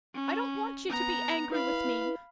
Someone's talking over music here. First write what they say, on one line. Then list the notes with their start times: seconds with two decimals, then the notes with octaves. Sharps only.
But I don't want you to be angry with me.
0.15 C#4
0.89 B3 A#5
1.52 E4 B4 F5 B5